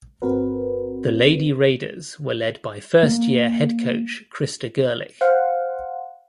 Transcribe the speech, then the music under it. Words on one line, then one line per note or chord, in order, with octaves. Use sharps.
The Lady Raiders were led by first year head coach Krista Gerlich.
G1 C4 F#4 A#4 B4
A#3
C5 F5 F#5